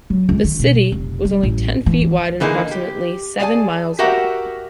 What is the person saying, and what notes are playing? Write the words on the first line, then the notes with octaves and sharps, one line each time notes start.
The "city" was only ten feet wide and approximately seven miles long.
F#3
C#2
D#3
B2
F1
G3
A1
E3
D3 E3 A#3 D#4 G#4
G4
G#4 D5 F5 F#5 G#5 A5
F#4 G4 A#4 E5 F#5 G5